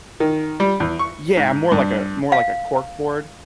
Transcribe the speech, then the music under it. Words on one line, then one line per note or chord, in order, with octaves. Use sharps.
Yeah, more like a more like a corkboard.
D#3
G3
E2
C#6
G#2
G2
F5